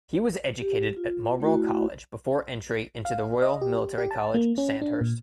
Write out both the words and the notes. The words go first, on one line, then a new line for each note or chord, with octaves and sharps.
He was educated at Marlborough College, before entry into the Royal Military College, Sandhurst.
G4
F4
A3 E4 F#4
F5
D#5
G4
G4
A5
A#3
C#4
D4
A#2